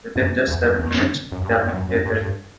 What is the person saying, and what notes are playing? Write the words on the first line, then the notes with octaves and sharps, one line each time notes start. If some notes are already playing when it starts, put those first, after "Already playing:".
Within just seven minutes, Gammage lay dead.
F#2
E2
F#2
E2
F#2
F#2
G2
F#2
F#2
F#2
G2
G2